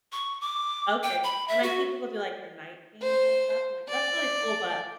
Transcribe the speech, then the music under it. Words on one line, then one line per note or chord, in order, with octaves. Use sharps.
Okay. When I see people do, like, the night scenes and stuff, I'm like, "That's really cool, but,
C#6
D6
G5
B5
E5
F#4
C5
D5